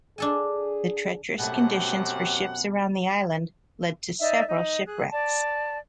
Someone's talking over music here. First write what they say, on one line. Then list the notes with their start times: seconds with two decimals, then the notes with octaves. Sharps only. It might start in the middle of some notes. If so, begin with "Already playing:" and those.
The treacherous conditions for ships around the island led to several shipwrecks.
0.18 D4 G#4 A4 G#5
1.39 F#2 B2 A3 C4 G4 F#5
4.20 D#4 D5 E5
4.48 D#4
4.85 G#4 F#6
5.10 D5 A5